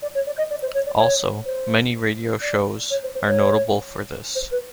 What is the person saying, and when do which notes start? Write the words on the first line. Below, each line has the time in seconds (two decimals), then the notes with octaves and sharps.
Also, many radio shows, are notable for this.
0.02 D5
0.15 C#5
0.26 D5
0.38 D#5
0.50 D5
0.62 C5
0.74 C#5
0.86 D5
0.98 C#5
1.46 C5
2.42 D5
2.90 C#5
3.03 C5
3.15 C5
3.27 C#5
4.35 C5
4.51 B4